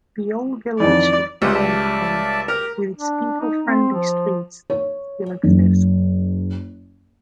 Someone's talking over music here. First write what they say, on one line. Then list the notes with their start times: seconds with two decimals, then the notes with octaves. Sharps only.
The old village of Bowenpally with its people-friendly streets still exist.
0.80 F2 D#3 E3 D5
1.42 C#2 G3 G4 E5 F#5
1.54 D5 E5 A5
2.48 G4 A#4 A#5
2.97 D4
3.41 D#4
3.66 C4
3.92 F3
4.70 C#5
5.43 F#1